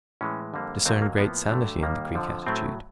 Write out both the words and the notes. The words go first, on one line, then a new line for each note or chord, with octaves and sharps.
I discern great sanity in the Greek attitude.
A2 E3 G#3 C#4
F2 D3 G3 A#3
D#2 D3 F#3 C4
A#3
A2 F3 A#3 B3
G2 D3 F#3 A3
D#2 D#3 G3 A#3
F2 D3 F3
A2 F#3 A3 C4